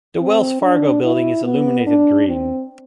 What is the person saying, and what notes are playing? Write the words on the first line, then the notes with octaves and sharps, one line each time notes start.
The Wells Fargo Building is illuminated green.
C4
D4
E4
B3
D4
C4